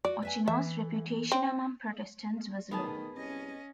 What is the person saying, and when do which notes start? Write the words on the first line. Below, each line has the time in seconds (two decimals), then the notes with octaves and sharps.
Ochino's reputation among Protestants was low.
0.05 F#4 D5
0.23 B4 E5 G#5
0.48 E3 E5
1.32 C4
2.71 D#3 A3 B3 G#4 A5
3.16 C2 C#4 D#5